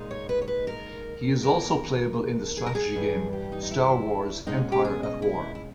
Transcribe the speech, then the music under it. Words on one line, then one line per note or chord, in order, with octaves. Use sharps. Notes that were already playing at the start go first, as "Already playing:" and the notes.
He is also playable in the strategy game "Star Wars: Empire at War".
Already playing: A#2 G#3 D#4
C#5
B4
C#5
B4
A#4
E2 D#3 A#3 A#4
G#4
A#4
G#4
G2 E3 G3
G4
D#4
D#4
E4
B2 G#3 C#4 D#4
G4
G#4
D#5
E4
E4